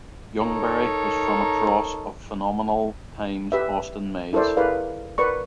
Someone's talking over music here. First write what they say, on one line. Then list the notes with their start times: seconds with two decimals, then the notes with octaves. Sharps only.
'Youngberry' was from a cross of 'Phenomenal' x 'Austin Mayes'.
0.40 D#4 A4 A#4 C#5
3.52 G4 B4 E5
4.33 E4 A4 A#4 C5 D5
4.57 E4 G#4 A#4 B4 D5 F5
5.18 A#4 B4 D5 C#6